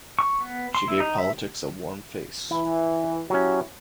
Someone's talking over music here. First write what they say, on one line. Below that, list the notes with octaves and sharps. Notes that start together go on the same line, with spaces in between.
She gave politics a warm face.
C#6
B3
C6
E4
D#4
E5
E3 E4
F#3 C#4 E4 F#4 G4